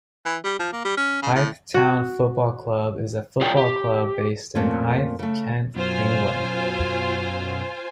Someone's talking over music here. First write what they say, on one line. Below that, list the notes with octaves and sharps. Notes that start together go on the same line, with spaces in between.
Hythe Town Football Club is a football club based in Hythe, Kent, England.
E3
G3
F3
A#3
G3
C#4
C#3
A2
F#4
F4 G#4 C#5 D5 F#5 G5
G4
F2 A#2 A3 C4 C#4
C#3 A3
F#2 B2 F#3 F4 C5 G#5